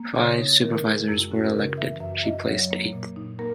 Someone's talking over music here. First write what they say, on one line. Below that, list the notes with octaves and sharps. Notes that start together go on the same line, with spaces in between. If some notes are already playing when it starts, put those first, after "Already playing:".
Five supervisors were elected; she placed eighth.
Already playing: A#3
C#3 C#5
D#4
D#3 A#4
G#3 G#4
F#2 E4
C#4 F#4
A#4
C#3 B4
E3 E5
F#2 E5
E5
F#2 D#5
F#3 C#5
A#3
A#2
D#4
A#3 A#4